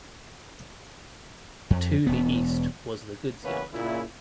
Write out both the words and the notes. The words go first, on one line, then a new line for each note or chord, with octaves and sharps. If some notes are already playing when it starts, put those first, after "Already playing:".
To the east was the goods yard.
F2
E1 B3
C#3 E3 A#3 B3 C#4 B4
A#2 C#3 E4